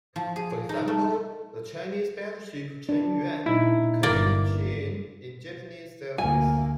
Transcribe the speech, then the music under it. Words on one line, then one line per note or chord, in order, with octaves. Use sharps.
For example, the Chinese battleship "Chen Yuan" became "Chin'en" in Japanese service.
F3
G#4
D#4
A3
D4
A#2 D#4 E4
G1 A#3 D5
D2 A#3 G#5